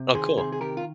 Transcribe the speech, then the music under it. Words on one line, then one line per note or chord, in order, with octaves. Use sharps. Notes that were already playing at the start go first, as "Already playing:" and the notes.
Oh, cool.
Already playing: C3
D#3 G#4 C5
C3 G#4 C5
G#4
D#3 G4 A#4
F4